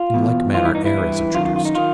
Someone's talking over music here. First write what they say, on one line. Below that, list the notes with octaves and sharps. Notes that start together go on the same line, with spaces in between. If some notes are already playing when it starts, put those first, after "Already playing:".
In like manner air is introduced.
Already playing: F4
E2 B2
G2 E3 F4
E4
D#4
E4
G2 E3
F#2 D#3 F4
F4
F4
D#4
D#3 F4